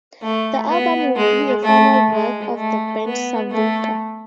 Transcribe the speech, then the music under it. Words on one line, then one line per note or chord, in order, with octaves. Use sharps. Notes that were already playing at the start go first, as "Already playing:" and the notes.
The album would be the final work of the band Savuka.
A3
B3
G#3
A3
G#3
A3
B3
A3